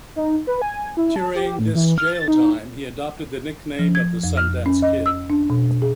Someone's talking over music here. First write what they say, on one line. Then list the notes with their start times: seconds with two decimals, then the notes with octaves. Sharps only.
During this jail time, he adopted the nickname of the Sundance Kid.
0.16 D#4
0.47 B4
0.62 G#5
0.97 E4
1.16 A5
1.35 G4
1.59 A2
1.75 E3
1.98 F6
2.14 A6
2.28 D#4
3.79 F3
3.95 G#6
4.24 F2
4.37 F6
4.66 C#4
4.82 D#5
5.06 E6
5.30 D4
5.50 B2
5.82 G#4